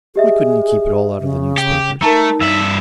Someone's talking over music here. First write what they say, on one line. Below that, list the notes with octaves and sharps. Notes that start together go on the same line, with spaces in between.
"Why couldn't you keep it all out of the newspapers?"
G4 G#4 D#5 E5
C#3
G4
A3 D#4 A#4 A5 A#5
G2 E5 E6 F#7